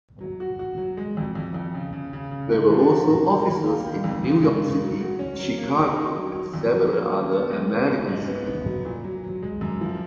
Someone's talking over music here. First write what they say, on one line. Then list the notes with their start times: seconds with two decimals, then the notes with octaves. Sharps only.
There were also offices in New York City, Chicago, and several other American cities.
0.21 F#3
0.40 F#4
0.59 F#4
0.78 F#3
0.97 G#3
1.17 F2
1.35 F2
1.54 F2
1.74 C#3
1.93 C#3
2.13 C#3
2.31 C#3
2.52 G#2
2.70 F3
2.89 F#4
3.09 F#4
3.27 D#3
3.47 A#3
3.66 F4
3.86 D#3
4.04 F2
4.24 C#3
4.43 G#3
4.62 C#3
4.81 F#3
5.01 F#4
5.19 C#4
5.39 F#3
5.58 A#3
5.77 D#4
5.96 D#4
6.16 F#3
6.34 F#3
6.54 F2
6.74 F#3
6.93 A#3
7.12 D#3
7.31 B3
7.51 G#3
7.69 B3
7.88 G#3
8.07 G#2
8.27 B3
8.46 B3
8.66 F#3
8.85 A#2
9.04 F#3
9.24 F#3
9.42 G#3
9.61 F#2
9.81 F3